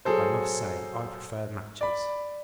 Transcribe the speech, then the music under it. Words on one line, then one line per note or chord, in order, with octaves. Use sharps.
I must say I prefer matches.
F#3 G#4 A4 C5
D5 B5